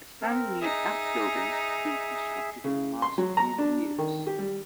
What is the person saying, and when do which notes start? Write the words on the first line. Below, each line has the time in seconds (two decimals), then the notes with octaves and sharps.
Some new outbuildings have been constructed in the last few years.
0.21 C4 A#4
0.61 D#4 G#4 E5
2.64 C#3
3.02 C6
3.18 F#3
3.37 A#5
3.58 D4
3.98 D#3
4.27 G4
4.39 G3